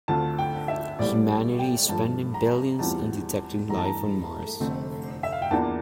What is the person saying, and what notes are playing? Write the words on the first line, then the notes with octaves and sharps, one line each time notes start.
Humanity is spending billions on detecting life on Mars.
D2 D3 A3 C4 F4 A5
G5
E5
A#1 A2 G3 D5
G5
G2 F3 A3 A5
A#5
E2 E3 G3 C4 F4 A5
G2 E3 A3 A#5
A5
A#5
F1 F2 D3 A3 C4
E5
F5
G5
E2 E3 A#3 D4 F4 A5